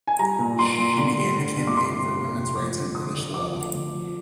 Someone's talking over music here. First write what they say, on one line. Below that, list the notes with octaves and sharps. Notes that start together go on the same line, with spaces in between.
She began to campaign for women's rights in British law.
G#5
G3 A#5
A#2
A#2 C6
A#2
D3 C6
G3
D3
G2
D6
C3 C6
C3
C3
F1
F3 D6
D3
D3 D#6
D3
F3 D6
D2
D2
F3